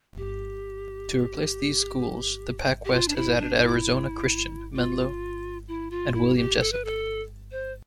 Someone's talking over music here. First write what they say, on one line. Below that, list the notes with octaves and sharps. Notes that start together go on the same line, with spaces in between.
To replace these schools, the PacWest has added Arizona Christian, Menlo and William Jessup.
G4
G4
F4
D4
E4
D4
D4
E4
F4
E4
F4
E4
G4
A4
B4
A4
C5